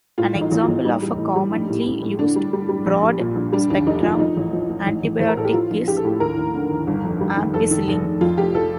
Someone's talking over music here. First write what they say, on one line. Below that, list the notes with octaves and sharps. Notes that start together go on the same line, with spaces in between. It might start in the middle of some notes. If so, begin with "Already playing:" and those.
An example of a commonly used broad-spectrum antibiotic is ampicillin.
A2 F4
A1
D#4
A1
F4
A1
G3 D#4
G3
A2
G3
A#1
A2
A2
A2
D3 D4
G3
G3
G3
A#1
A#1
A#2
A#1
G3 D4
D#2 D4
F1 D#4
D#3 F4
F3 D#4
A1
F3
F3
A1
A1
A1 C5
A#4
A2 A4
G4
F3 F4
A#1
A#1 G4
A4
A2 G4
D#2 A#4
D#2
D3
D#2
G1
F2
G3
D#3
F1 A4
D#3
F1
F1
F2 F4
F1 G4
A4